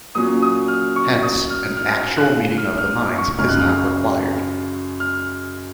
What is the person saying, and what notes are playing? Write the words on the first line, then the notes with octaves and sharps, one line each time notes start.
Hence, an actual meeting of the minds is not required.
A#2 F#3 C#4 D#6
D#6
F6
C#6
D#6
F6
F6
F#6
F6
F6
C#6
F#2 C#3 G#3 C#4 F6
F#6
F6
F6